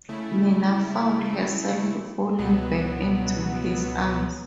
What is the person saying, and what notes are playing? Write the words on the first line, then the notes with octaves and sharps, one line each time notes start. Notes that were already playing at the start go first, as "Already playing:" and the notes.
Nina found herself falling back into his arms.
C#3 A3 E4
C#2 B2 F#3 B3